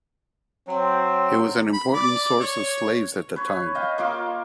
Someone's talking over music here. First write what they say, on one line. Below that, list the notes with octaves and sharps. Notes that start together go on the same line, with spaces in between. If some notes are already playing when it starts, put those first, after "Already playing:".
It was an important source of slaves at that time.
F#3 C4
B5
D5
C#5
B4 C#5
D#5 F5 G5
A#3 F4 C6 D6